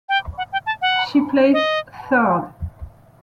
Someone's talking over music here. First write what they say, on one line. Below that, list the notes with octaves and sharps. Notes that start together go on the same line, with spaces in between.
She placed third.
G5
F#5
G5
A5
F#5
D#5